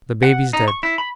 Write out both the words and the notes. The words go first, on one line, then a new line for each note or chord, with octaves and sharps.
The baby's dead.'
F#5
D#4
C#6
E4
B5